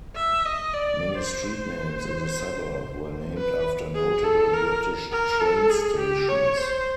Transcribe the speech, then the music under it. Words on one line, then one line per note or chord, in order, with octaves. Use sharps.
Many street names in the suburb were named after notable British train stations.
E5
D#5
D5
C5
B4
G#4
A4
A#4
A#4
A4
G#4
G4
C#5
C5